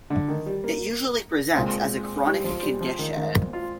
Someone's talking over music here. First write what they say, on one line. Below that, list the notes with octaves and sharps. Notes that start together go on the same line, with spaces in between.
It usually presents as a chronic condition.
D3
D#3
G3
A#3
A#2 G#3 C4
G3
F3
G3
F3
D#3
D#3
F4